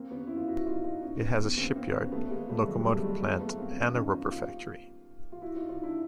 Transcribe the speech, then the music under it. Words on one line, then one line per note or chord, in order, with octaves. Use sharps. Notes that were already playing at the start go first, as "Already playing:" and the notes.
It has a shipyard, locomotive plant, and a rubber factory.
Already playing: A#3 C4
B3 C#4
E4
F4
E4 F#4
D#4 F4
D#4 F4
C#4 D#4
B3 C#4
B3 C#4
A#3 C4
A#3 C4
B3 C#4
A3 B3
G#3 A#3
G3 A3
F#3 G#3
A#3
G3 A3
G#3
G3 A3
G#3 A#3
A3 B3
A#3 C4
B3 C#4
C#4 D#4
D#4 F4
F4 G4
F4
E4 F#4
D#4 F4
D#4 F4
D4 E4